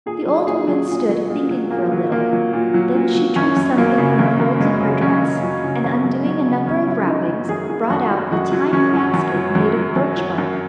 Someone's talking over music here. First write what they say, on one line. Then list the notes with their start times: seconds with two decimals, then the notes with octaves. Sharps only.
The old woman stood thinking for a little: then she drew something from the folds of her dress, and, undoing a number of wrappings, brought out a tiny basket made of birch-bark.
0.06 A#2 G#4
0.26 F#3
0.47 A#2 G#4
0.68 F#3
0.88 A#2
1.09 F#3
1.30 A#2
1.51 F#3
1.71 A#2 A#3
1.92 F#3
2.12 A#2 A#3
2.33 F#3
2.53 A#2
2.74 F#3
2.95 A#2
3.15 F#3
3.36 F#2 C#4
3.57 F#2
3.77 F#3 A#3
3.98 C#3
4.18 F#2 A#3
4.40 F#2
4.60 F#3 G#3
4.80 C#3
5.01 F#2 C#4
5.22 F#2
5.43 F#3
5.64 C#3
5.84 F#2
6.04 F#2
6.26 F#3
6.46 C#3
6.66 F#2 C#4
6.88 F#3
6.97 C#4
7.07 F#2 D#4
7.28 F#3
7.49 F#2 G#4
7.70 F#3
7.90 F#2 F#4
8.11 F#3
8.32 F#2 F#4
8.52 F#3
8.73 F#2 C#4
8.93 F#3
9.14 F#2
9.34 F#3
9.55 F#2
9.77 F#3
9.96 F#2
10.17 F#3
10.38 F#2